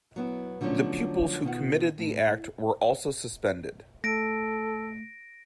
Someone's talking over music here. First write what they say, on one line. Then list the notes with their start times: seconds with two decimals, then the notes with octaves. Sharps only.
The pupils who committed the act were also suspended.
0.16 F#3 B3 E4
0.61 D3 F3 F#3 A3 C#4
1.44 B2 D#3 F4 F#5
1.98 A2
4.04 A3 A4 A#6 D7